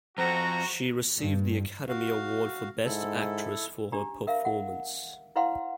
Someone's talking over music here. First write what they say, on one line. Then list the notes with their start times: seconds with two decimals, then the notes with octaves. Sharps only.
She received the Academy Award for Best Actress for her performance.
0.18 F2 F#4 C5 A#5
1.17 G2
1.88 F#4 F5
2.85 G#2 E4 A4
3.92 D4 G4 A#5
4.27 A#4 E5 F5
4.45 F#5
5.36 E4 B4 C#5 F5 F#5 C6